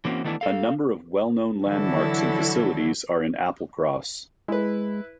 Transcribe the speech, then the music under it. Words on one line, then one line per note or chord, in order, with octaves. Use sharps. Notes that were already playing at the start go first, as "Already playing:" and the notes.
A number of well known landmarks and facilities are in Applecross.
E3 A#3 C4 C#4 F#4
D#3 E3 A3 B3 D4 E4
A4 F5
D3 E3 F#3 E4 F#4 A4
G#3 E4 B4